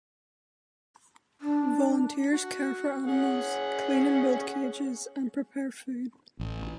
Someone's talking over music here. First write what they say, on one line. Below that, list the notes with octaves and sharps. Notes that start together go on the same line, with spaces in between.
Volunteers care for animals, clean and build cages and prepare food.
D4
F#4
C#4 G#4 F#5
A1